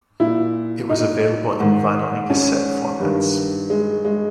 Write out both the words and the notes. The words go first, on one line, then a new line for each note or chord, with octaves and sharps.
It was available in vinyl and cassette formats.
A#2 E4
D#4
G#2 D#3
C#4
G2 D#3
G#3
G#3